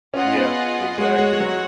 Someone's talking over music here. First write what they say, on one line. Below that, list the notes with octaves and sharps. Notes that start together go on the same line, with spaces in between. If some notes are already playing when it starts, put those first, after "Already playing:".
Yeah, exactly.
C#4 F4 G#4 D#5 F#5
B3
G#3 F#4 C#5 F#5
G#3
G#3
F#3